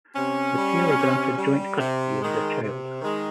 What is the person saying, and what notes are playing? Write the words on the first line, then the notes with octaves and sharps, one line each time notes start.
The pair were granted joint custody of their child.
C3 C#4
G3
C3
G3
C3
D#3 G#3
C3
D#3 G#3